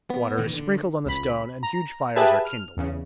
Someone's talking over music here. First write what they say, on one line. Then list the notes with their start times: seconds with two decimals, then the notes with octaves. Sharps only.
Water is sprinkled on the stone and huge fires are kindled.
0.10 B3
0.38 A#2 D#3 E3
0.53 D3
1.06 C#2 B5
1.63 A#5
2.16 G4 G#4 B4 E5 A5
2.45 F6
2.77 E2 C#3